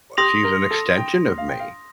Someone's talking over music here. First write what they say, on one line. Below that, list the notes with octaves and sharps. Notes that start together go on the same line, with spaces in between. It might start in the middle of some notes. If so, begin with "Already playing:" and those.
she's an extension of me.
G4 C6 D#6 A#6 F7
A#4
A4
G5
F5
G5
F5